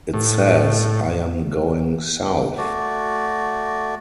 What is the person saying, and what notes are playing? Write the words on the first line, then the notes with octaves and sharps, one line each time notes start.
It says: I am going south.
A2
A3 F#4 D5